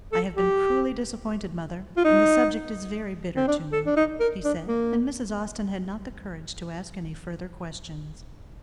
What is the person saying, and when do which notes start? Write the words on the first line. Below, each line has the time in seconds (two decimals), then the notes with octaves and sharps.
"I have been cruelly disappointed, mother, and the subject is very bitter to me," he said; and Mrs. Austin had not the courage to ask any further questions.
0.12 A4
0.37 G4
1.97 F4
2.05 D#4
3.37 C4
3.48 D4
3.72 A4
3.86 D4
3.97 D#4
4.20 A#4
4.45 D4
4.68 A#3